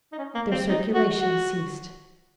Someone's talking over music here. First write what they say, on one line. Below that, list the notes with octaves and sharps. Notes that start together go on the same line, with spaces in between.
There circulation ceased.
D#4
C#4
A#3
C4
D#4
F#4
F#4